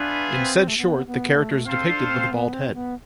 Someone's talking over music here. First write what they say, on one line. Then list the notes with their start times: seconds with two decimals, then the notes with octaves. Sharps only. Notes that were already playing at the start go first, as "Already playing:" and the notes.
In said short, the character is depicted with a bald head.
Already playing: B3 D4 F4 G#4 B4 E5
0.34 C4
0.68 A3
0.78 B3
1.07 B3
1.36 A3
1.65 C4 F4 A4 C5 F5
1.87 D4
2.09 C4
2.31 B3
2.53 C4
2.74 B3